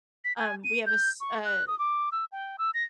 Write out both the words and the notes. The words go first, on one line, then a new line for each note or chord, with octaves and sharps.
Um, we have a s a
B6
G#5
D#7
G6
C#6
F#6
D#6
D6
E6
G5
E6
A#6